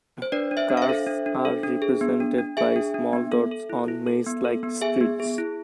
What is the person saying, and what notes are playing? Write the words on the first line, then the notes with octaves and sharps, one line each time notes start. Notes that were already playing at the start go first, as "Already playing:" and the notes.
Cars are represented by small dots on maze-like streets.
C5
D4 B4 D5
D4
C5 E5
D4
F5
C5 E5
A4
D4
D4
A4
D4
G#4
B3
D4
D4
G#4 E5 G#5
D4
D4
B3
A4
A4
E4
E4
A4
B3
A4
B3
G#4 E5 G#5
B3
G#4
E4